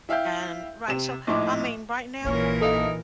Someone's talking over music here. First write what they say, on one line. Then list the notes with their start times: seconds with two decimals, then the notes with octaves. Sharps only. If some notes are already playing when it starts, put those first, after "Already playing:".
And right, so, I mean, right now,
0.09 E4 E5 F5 G5 G6
0.88 C3 E7
1.27 A#1 A2 D#4 C6 D6
2.25 A#1 A#2 E3 A#3 C#4 A#4
2.61 D#4 A4 E5 F5